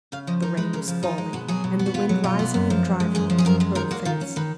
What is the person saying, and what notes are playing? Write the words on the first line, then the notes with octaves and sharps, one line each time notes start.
The rain was falling and the wind rising and driving it into her face.
C#3 F5
F3 D#5
D#4 A#4
G#3 B4
C#3 A#4
F3
D#4 F4
G#3
B2 F#4
F#3 G#4
B2
B3
F#4
B2 F4
F#3
B2 F4
B3
F#2
F3
F#2
G#3
F#2 G#4
F3
G#4
F#2 A#4
G#3
D#3 A#4
A#3 F#4
D#3 F4
C#4
D#3 B4